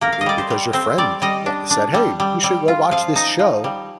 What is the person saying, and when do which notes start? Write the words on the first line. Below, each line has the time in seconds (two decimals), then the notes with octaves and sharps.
you do it because your friend wa said, "Hey, you should go watch this show."
0.01 A#3 A#4
0.12 F5
0.21 D#5
0.26 G3 D5
0.38 C5
0.50 G3
0.73 C4 C5
0.98 G3 D5
1.22 G3 D#5
1.46 D4
1.70 D4
1.94 G3
2.20 G3
2.44 G3
2.68 F4
2.91 F3 F5
3.16 D#4
3.39 F3
3.64 G3